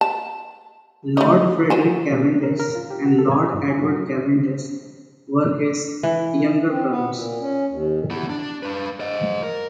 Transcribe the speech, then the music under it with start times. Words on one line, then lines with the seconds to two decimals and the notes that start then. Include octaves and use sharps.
Lord Frederick Cavendish and Lord Edward Cavendish were his younger brothers.
0.01 A5
1.17 A3 D#4
1.70 F#4 C5 G#5
2.12 B2
2.24 D4
2.43 A#4
2.60 A#4
2.75 F4
2.90 G4
3.06 F#4
3.19 A4
3.32 G#5
3.53 G2
3.70 G#5
3.83 F#3
6.03 E3
6.70 C4
6.89 B3
7.14 A#2
7.40 C#4
7.69 D#2
8.10 B3 E4
8.30 D4
8.63 D4 B4
9.00 C5 D#5
9.43 A#4